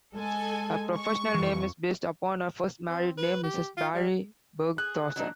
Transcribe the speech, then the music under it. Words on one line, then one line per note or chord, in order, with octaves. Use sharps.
Her professional name is based upon her first married name, Mrs Barry Bergthorson.
G#3 A4 G#5
C#6
F2 E3
C4
B4
G4
F4
G3
G#4 F#6
F#3 D4 D#4